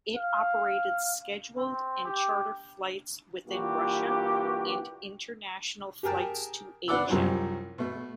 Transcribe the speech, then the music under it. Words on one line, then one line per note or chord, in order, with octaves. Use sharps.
It operated scheduled and charter flights within Russia, and international flights to Asia.
F5
C4
G4
G2 A#2 E3 F#4 G4
G4 G#4 A#4 G5 A5
D4 B4 D5 F#5 D6 E6
C2 F#2 F3 G3 C4 C#5
B2 A3